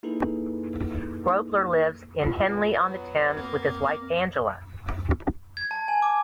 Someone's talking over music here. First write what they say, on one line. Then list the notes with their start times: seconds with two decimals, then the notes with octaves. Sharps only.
Grobler lives in Henley-on-Thames with his wife Angela.
0.03 A#3 D#4 E4 G#4 A4 B4
2.26 B2 F4
2.80 F#3 B3
3.37 A#3 C4
5.57 G#6
5.71 A5
5.88 G#5
6.02 D6